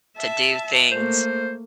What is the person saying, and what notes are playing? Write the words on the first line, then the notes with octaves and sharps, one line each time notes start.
to do things,
E5 A5
A3 A#3 C5